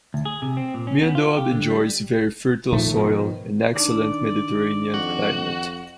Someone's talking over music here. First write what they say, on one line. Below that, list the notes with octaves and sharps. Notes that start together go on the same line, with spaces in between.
Miandoab enjoys very fertile soil and excellent Mediterranean climate.
D2
G#4
C3
C4
A#2
C#4
B3
F4
G4
D3
G3
A#2 D#3 F3 A3
G#2 B2 D#3 F3
D#3 D4 D5
F2 F#4